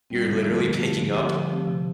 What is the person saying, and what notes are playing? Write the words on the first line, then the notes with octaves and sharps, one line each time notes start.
you're literally picking up
G3 C4
D3
F3 A3 C4 G4
D3
F3 A3 C4 G4
D3
F3 A3 C4 G4
D3
F3 A3 C4 G4
C3